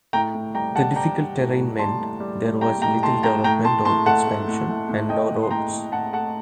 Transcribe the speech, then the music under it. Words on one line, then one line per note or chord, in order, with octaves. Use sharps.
The difficult terrain meant there was little development or expansion, and no roads.
A2 G5 A#5
A2
G3 G5 A#5
G3 F#5 A5
G3 G5 A#5
G3
A2
A2
G3 A5 C6
A2
G3
A2
G3 G5 A#5
A2 G5 A#5
A2 A5 C6
A2 G5 A#5
A2 G5 A#5
A2 A5 C6
A2 A5 C6
A3 F#5 A5
A3
A2
A2
A2
A2 D#5 G5
A2
C6
A2 G5 A#5
A2
A2 F#5 A5
A3 F#5 A5